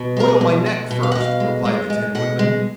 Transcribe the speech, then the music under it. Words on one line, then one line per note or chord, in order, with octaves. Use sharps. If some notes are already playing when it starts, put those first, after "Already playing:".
"Oil my neck, first," replied the Tin Woodman.
Already playing: B2
G#3 A#4
G#4
B2
B2 F#5
B2
F5
F#5
B2
F5
G#3
G#3
G#3
B2 F#5
G#3